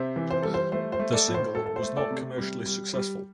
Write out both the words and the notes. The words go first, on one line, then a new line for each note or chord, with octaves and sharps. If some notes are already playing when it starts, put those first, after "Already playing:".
The single was not commercially successful.
Already playing: C3 C5 E5
E3
C5
G3 A4
C5
A3 C5
C5
A3
A4 D5
A2
C5
A3 A4
A4
C5
A3
A4 D5
C3
G3
G3
G3